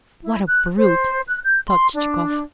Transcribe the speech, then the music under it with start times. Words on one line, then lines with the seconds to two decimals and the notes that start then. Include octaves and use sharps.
"What a brute!" thought Chichikov.
0.22 E4
0.47 F#6
0.77 C5
1.28 F#6
1.44 G6
1.68 C6
1.95 D4